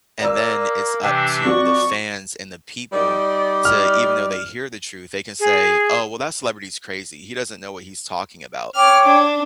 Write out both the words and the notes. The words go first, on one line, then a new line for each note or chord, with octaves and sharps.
and then it's up to the fans and the people, to even though they hear the truth, they can say, "Oh, well, that celebrity is crazy. He doesn't know what he's talking about,"
A#3 D5 E6
C3 E3 D4 G4
F2 F3 F#4 D5 C#6
G3 D#4 D5
F6
G#4
C#5 G5 D6 F6
D4